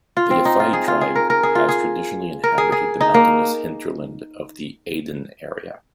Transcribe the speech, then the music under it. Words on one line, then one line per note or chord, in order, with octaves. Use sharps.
The Yafa'i tribe has traditionally inhabited the mountainous hinterland of the Aden area.
F4
C4
D#4
F4
G#4
F4
G#4
A#4
A#4
G#4
F4
G#4
A#4
G#4
G#4
D#4
A#3